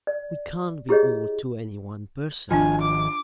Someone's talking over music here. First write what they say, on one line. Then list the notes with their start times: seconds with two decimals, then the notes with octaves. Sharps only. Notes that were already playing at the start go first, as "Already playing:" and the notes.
We can't be all to any one person.
0.07 D5
0.89 E4 G4 G#4 C#5 D#5
2.51 G#1 D#3 F3 D4 F4 G#5
2.82 D6